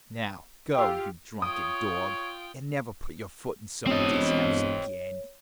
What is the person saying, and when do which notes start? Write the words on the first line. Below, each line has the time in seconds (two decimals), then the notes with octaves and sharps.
"Now, go, you drunken dog, and never put your foot inside this house again."
0.75 F4 G4 F5 G5 E6
1.42 F4 C#5 G5 D#6
3.87 E1 C4 C#5 D#5